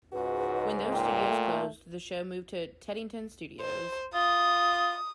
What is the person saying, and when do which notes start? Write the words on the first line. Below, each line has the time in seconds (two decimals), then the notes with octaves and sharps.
When those studios closed the show moved to Teddington Studios.
0.13 C#2 G#2 F#4 B4
0.93 A#2 G5
1.28 A3
3.61 C5
4.14 F4 D#6